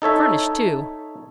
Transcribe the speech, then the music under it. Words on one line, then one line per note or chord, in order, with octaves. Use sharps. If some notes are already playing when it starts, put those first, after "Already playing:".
Furnished, too.
D#4 A4 C#5 E5